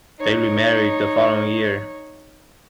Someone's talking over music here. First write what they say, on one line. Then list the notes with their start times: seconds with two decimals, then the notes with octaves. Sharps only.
They remarried the following year.
0.19 D#4 C#5